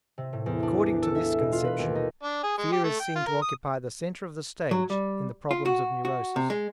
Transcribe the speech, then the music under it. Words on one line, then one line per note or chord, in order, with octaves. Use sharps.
According to this conception, fear is seen to occupy the center of the stage in the problems of neurosis.
C3
A2
E2
D4
D6
A4
E5
B2
F4
B4
D#2
D#4
D4
G#4
G#3
G4
A3
G5
F4
A#4
D#6
F#3
G3
F4
F#4
F#4
C3
G#3